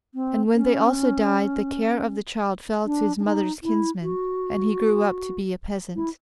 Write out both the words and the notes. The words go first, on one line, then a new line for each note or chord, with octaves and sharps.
And when they also died, the care of the child fell to his mother's kinsmen, and he grew up to be a peasant.
C4
C#4
D4
D4
D#4
E4
F#4
E4